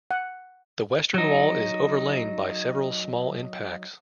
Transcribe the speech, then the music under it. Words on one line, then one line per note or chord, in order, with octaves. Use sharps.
The western wall is overlain by several small impacts.
F#5
F#3 D#4